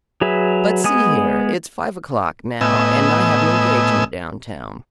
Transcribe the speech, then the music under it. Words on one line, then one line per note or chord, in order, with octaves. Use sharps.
"But see here, it's five o'clock now and I have an engagement down town."
F#3 G#4 B4 E5
G#3 B3 G#5 D#6
A2 B3 D#5 G#5 E6